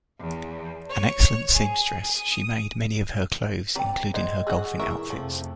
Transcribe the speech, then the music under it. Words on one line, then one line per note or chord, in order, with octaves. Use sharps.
An excellent seamstress, she made many of her clothes, including her golfing outfits.
E2
C#5
G#4
D#6
C4 B4 D5 G5 A#5
G#3 C5 D5 D#5
G#3 F#4 G#4 E6
F1 E3 A#4 E5 C#6
F2 C3 F3 A3